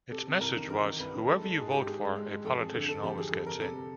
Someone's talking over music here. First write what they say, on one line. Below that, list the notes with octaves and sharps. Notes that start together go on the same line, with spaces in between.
Its message was Whoever you vote for, a politician always gets in!
C3 A4
C3
C2 A#4
D#3
D#3 A#4
D#3
C2 B4
D#3
G#3 A4
G#3 A4
G#2 G#4
G#3 G4
G#2 G#4
G#3
G#3
G#3
F2 A4
F2 G#4
D3 A4
D3 A4
F2 G4
F2 G#4
G3 A4
F2 A#4
C3 A4
C3